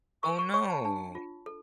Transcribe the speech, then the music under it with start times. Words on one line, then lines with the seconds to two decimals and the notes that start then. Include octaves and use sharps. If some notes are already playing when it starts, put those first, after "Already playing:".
Oh, no.
0.23 A#4 C#6
0.39 C#6
0.54 C#5 C#6
0.70 A5
0.84 D4 A5
1.15 F4
1.46 A4